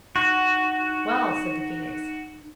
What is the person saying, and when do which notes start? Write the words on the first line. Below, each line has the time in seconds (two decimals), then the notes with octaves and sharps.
'Well!' said the Phoenix.
0.16 D#4 F#4